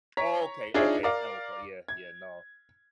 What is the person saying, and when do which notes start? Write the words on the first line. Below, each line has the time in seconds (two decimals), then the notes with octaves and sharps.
Oh, okay, okay. Animal Cro yeah, yeah, no.
0.17 C#5 A#5 B6
0.74 D4 D#4 F4 G#4 C#5 E5
1.03 A#4 D5 F5
1.88 G#6